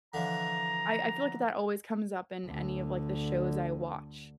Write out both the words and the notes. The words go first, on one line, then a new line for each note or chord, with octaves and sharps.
I I feel like that always comes up in any of, like, the shows I watch.
D3 E3 F3 A#5
D2 D3